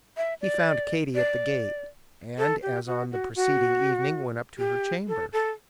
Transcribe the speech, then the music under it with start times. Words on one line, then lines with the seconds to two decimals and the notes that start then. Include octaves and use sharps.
He found Kitty at the gate, and, as on the preceding evening, went up to her chamber.
0.17 E5
0.41 D5
1.15 D5
2.38 A4
2.62 G4
2.87 F#4
3.11 F#4
3.35 F#4
4.58 G4
5.08 A4
5.33 A4